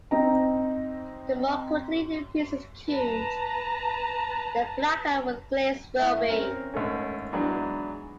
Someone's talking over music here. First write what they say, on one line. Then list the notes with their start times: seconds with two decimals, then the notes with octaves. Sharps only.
The more quickly a piece is cooled, the blacker the glaze will be.
0.11 C4 D#4 A#5
2.91 B4 A5 A#5
5.99 A2 E5
6.29 C4 C#4 A#4
6.74 D#2 G#2 A3 C#4
7.33 E3 F#3 G#3 B3 D4 D#4